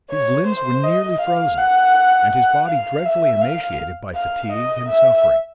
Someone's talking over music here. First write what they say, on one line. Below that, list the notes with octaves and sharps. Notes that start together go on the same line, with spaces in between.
His limbs were nearly frozen, and his body dreadfully emaciated by fatigue and suffering.
C#5
C5
D#5
F5
F#5
F#5
F5
E5
F5
F5
D#5
E5